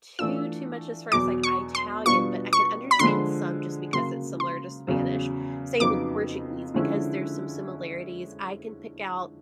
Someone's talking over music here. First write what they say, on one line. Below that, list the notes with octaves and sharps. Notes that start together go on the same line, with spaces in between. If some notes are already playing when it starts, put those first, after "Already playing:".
too, too much as far as like Italian, but I can understand some, just because it's similar to Spanish. Same with Portuguese, because there's some similarities. I can pick out
E3 A3 D4 F4 E6
E2 B2 F#3 D6
C#6
C6
B2 G3 B3 D4 F4 C#6
C#6
B5
D3 F3 G#3 C6
C#3 F#3 A#3 C6
C6
E2 C#3 F#3
F2 C#3 F#3 B3 D#4 D6
D3 F3 G#3 C#4 E4